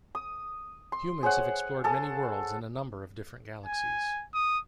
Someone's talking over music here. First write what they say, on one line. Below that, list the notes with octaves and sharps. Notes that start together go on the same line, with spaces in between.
Humans have explored many worlds in a number of different galaxies.
D#6
C6
G#4 C5 C#5 F#5
G#4 A4 A5
G#5
D#6